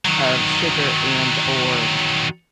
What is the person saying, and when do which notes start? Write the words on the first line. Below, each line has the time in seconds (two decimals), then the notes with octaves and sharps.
of sugar and/or,
0.05 D#3 F#3